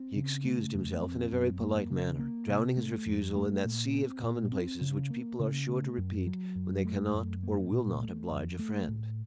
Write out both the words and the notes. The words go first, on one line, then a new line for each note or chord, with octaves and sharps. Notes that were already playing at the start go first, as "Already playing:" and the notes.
He excused himself in a very polite manner, drowning his refusal in that sea of commonplaces which people are sure to repeat when they cannot or will not oblige a friend.
Already playing: C4
C#3
A3
F2
C4
F#2
A#3
C#3
A#3
C3
A3
F2
A3
A#2
C4
A#2
C4
C#3
A#3
C#3
A3
F#2
F#3
F#2
A3
F#2
A#3
A#2
A3
F2
A3
A2